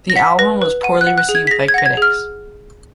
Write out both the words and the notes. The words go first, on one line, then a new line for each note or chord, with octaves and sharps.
The album was poorly received by critics.
A#6
F#5 B6
B4 A#6
B4
F#5 D#7
F#6
F#5
F#6
G#4
G#6
B6
G#4 A#6
G#6
F#5 A#6
G#6
G#4 F6